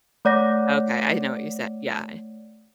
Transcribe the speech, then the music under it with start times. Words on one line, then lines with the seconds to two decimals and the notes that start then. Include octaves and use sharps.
Okay, I didn't know what you said. Yeah, I
0.25 A3 C#5 D5 F#5 D6 A#6